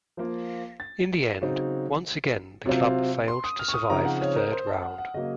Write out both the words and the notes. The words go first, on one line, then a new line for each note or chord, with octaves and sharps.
In the end, once again the club failed to survive the third round.
F3 A#3 F4
A6
C#3 F#3 C4 D#4
C3 F#3 C4 F4
C6
D#6
F6
C#6
D#6
C#3 F3 C4 D#4 A#5
F#5
C#5
A#4
C5
A5
F#5
F#5
C#3 F#3 A#3 D#5